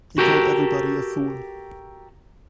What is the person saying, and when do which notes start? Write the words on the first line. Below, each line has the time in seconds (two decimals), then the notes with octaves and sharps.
He called everybody a fool.
0.18 F#4 G4 A4 A#4